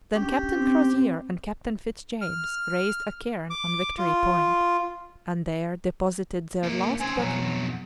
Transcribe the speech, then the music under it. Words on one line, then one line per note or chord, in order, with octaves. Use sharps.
Then Captain Crozier and Captain Fitz-James raised a cairn on Victory Point, and there deposited their last document.
C#4 D4 G4
C4
F6
D6
F4
C2 A#3
C#4 C5 G#5
F2 B2 F#3